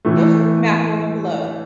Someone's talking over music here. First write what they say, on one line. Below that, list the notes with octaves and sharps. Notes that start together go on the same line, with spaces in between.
Wolfram MathWorld below.
A2 E3 A3